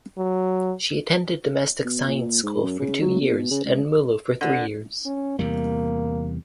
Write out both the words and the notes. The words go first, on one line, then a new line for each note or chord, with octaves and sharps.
She attended domestic science school for two years and Mulo for three years.
F#3
B2
A#2
G#2
F#2
C#3
F#3
B2
C#3
C#2
D3
C#4
E2 C3 G3 A#3